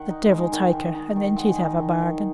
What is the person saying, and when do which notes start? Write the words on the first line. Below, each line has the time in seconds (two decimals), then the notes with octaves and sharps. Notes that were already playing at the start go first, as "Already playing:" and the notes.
'The devil take her! and then he'd have a bargain.
Already playing: D#3 F#5
0.10 D#4
0.31 G#3
0.52 D#3
0.73 D#3
0.94 D#4
1.16 D#3
1.37 G#3 F#5
1.58 D#4
1.80 D#3
2.01 D#3